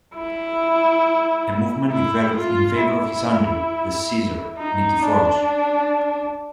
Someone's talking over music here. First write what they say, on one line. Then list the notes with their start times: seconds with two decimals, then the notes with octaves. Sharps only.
A movement developed in favor of his uncle, the "Caesar" Nikephoros.
0.15 E4
1.92 E4
2.37 F4
2.81 E4
4.58 D#4
5.02 D4